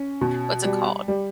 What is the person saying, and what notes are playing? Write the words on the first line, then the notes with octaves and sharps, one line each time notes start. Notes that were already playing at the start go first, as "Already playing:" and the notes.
what's it called?
Already playing: C#4
B2
G3
G3